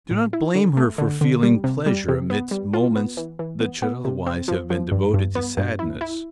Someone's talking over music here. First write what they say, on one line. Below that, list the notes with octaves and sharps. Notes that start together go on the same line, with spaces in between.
Do not blame her for feeling pleasure amidst moments that should otherwise have been devoted to sadness.
A2
E4
D3
A3
D3
D3
G3
C3
G3
C3
B3
G3
F4
B3
E3
E3
B3
B3
C3
C4
F3
F3
G2
G2
B3
G2
E4
E4